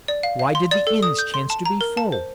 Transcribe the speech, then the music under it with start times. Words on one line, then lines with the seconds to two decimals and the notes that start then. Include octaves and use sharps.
Why did the inns chance to be full?
0.08 D5
0.23 F5
0.39 F5
0.55 C6
0.71 D5
0.87 A4
1.03 D#6
1.19 G6
1.34 C6
1.50 A5
1.65 A#5
1.81 A#4
1.97 A5
2.12 C5